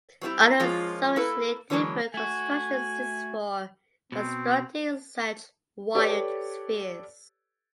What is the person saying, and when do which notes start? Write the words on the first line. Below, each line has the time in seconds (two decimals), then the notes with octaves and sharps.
Other substantially different constructions exist for constructing such "wild" spheres.
0.21 F#3 G3 C4 D#4 E4 G4
0.60 F3 G#3 A#3 C#4 F4
1.16 A#3 E4 A4 B4
1.70 D3 E3 F#3 G#3 A#3 C#4
2.14 A3 F#4 G#5
4.12 B2 C4
5.95 G4 A4 B4 C#5 D5